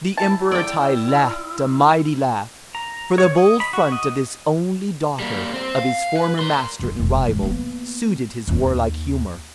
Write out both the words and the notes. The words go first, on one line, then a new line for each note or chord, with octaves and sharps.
The Emperor Tai laughed a mighty laugh, for the bold front of this only daughter of his former master and rival, suited his warlike humor.
E4 A5
D5 G5
A#5
C#5
D#5
B5
F#4
D#5
G3 A#3
C4
F5
B4
A#4 C6
F2 D#3
E1
F3 G#3
A#3 B3
E2 C#4
D#2